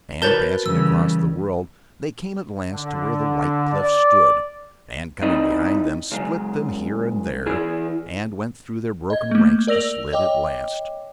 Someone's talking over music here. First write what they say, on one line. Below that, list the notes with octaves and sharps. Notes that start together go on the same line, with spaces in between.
And passing across the world they came at last to where the white cliffs stood, and, coming behind them, split them here and there and went through their broken ranks to Slid at last.
F#4 A#4 B4 C#5 A5 F#6 G6 A6
C#3 E3 G3 E6
D3
D5
C4 D#4 E4 B4 D5 D#5
C#3 F#3 G#3
E3 E4 G#4
D#5 G#6
A3 A#3
A#4 D5 E6 A#6 F7
C#5 D#5 G5 D6